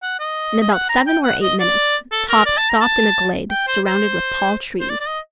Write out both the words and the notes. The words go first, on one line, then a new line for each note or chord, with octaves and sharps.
In about seven or eight minutes Top stopped in a glade surrounded with tall trees.
F#5
D#5
D#5
F#5
A#5
G5
F#5
D#5
D5
A4
A#4
D5
A5
A#5
A5
G5
C5
C5
C5
D5
D5
D#5